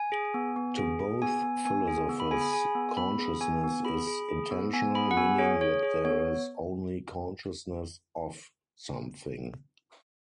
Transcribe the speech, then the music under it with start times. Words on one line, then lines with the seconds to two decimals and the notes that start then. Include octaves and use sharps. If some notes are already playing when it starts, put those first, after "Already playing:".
To both philosophers, consciousness is intentional, meaning that there is only consciousness "of" something.
Already playing: G#5
0.12 G#4
0.34 B3
0.56 B3
0.78 G#4
0.99 G#4
1.22 B3 G#5
1.43 B3
1.65 B3 G#5
1.88 G#4
2.09 B3
2.20 B5
2.31 G#4 G#5
2.41 B5
2.53 G#4 G#5
2.75 B3
2.97 B3 B5
3.19 G#4
3.41 B3 G#5
3.63 B3
3.85 G#4 B5
4.07 G#4
4.29 G#4
4.51 B3
4.73 B3 G#5
4.95 G#4 B5
5.11 F#5
5.17 B3 G#5
5.38 G#4 C#5
5.61 G#4 C#5
5.83 G#4
6.05 B3 C#5